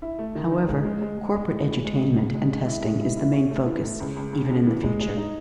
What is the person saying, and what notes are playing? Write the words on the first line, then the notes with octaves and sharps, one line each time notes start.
However, corporate edutainment and testing is the main focus even in the future.
E4
A3
D#3
D#3
G#3
G#3
G#3
G#3
G#3
A2
A2
G#3
C#3
C#2
G#3
G#3
E4
G#3
E4
E4
C#4
A3
E3
A3
C#2
C#2
C#3
C#2
E3
G#3
G#3
D#4